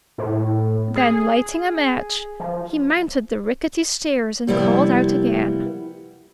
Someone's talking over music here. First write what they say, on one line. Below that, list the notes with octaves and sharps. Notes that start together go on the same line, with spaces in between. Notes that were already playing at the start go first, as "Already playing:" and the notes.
Then, lighting a match, he mounted the rickety stairs and called out again.
A2
G#4
F3
C3 F3 G3 A#3 B3 E4